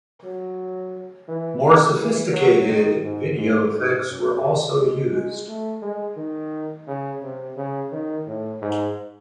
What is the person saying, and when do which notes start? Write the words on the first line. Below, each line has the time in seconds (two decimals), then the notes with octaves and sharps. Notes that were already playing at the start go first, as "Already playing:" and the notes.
More sophisticated video effects were also used.
0.23 F#3
1.28 E3
1.63 D#3
1.98 E3
2.33 F#3
2.68 D#3
3.02 G#2
3.37 G#2
3.73 G#2
4.08 F#2
4.78 G#3
5.12 G#3
5.48 A3
5.82 G#3
6.17 D#3
6.87 C#3
7.23 C3
7.56 C#3
7.92 D#3
8.27 A2
8.62 G#2